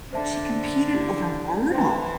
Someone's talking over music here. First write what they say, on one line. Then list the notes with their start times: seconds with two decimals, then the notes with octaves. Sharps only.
she competed over Wordle,
0.13 D3 C5 E5 A5
0.92 E4 G4 D5
1.72 E3 C5 G5 C6